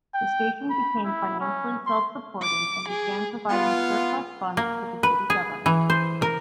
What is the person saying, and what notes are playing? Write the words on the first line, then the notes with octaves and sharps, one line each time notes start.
The station became financially self-supporting and began providing surplus funds to the city government.
G5
B5
E4
C#4
C6
D6
G#4
B3 F4
A#3
B4
G#4
E3
C5
A#4